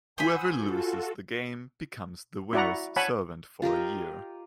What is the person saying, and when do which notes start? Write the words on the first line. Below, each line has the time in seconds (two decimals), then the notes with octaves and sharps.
Whoever loses the game becomes the winner's servant for a year.
0.18 C5 F#5 G#5 B5 D#6 E6
0.54 F4 F#4 A4
2.53 E4 F#4 D5 F#5 A#5
2.96 C#5 F#5 G#5 A5 B5
3.62 F4 G4 A#4 D#5